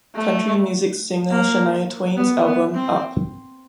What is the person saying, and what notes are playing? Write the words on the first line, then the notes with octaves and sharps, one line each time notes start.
Country music singer Shania Twain's album Up!
A3
A#3
B3
B3
C4